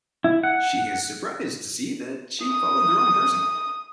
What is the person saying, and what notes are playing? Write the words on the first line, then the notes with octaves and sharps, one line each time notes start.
She is surprised to see that she followed the wrong person.
E4
F#5
D#6